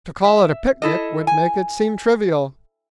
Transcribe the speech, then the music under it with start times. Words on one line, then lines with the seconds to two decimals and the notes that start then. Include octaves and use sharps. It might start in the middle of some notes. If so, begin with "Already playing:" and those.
To call it a picnic would make it seem trivial.
0.24 E5
0.82 E4 A4 D#5
1.27 G#5